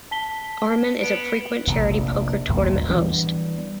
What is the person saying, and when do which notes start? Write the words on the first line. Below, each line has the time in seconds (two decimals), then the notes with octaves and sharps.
Harman is a frequent charity poker tournament host.
0.11 A5 B6 G7
1.00 B3 D7
1.67 F1 A#1
2.49 F#1 D#2 A#2 A3
2.73 F#2 B2
2.89 E3 G3 B3 D4